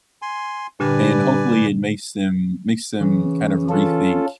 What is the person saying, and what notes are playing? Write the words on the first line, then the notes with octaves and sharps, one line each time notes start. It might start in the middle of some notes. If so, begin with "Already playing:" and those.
and, hopefully, it makes them makes them kind of rethink,
G#5 C6
G2 A#2 D3 G3 B4 D5 G#5
C#3 E3
C#4 F4 A4